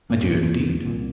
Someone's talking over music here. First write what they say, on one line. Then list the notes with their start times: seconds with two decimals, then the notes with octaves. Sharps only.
"I do, indeed."
0.10 C2 A#2 A#3
0.85 C2 A#2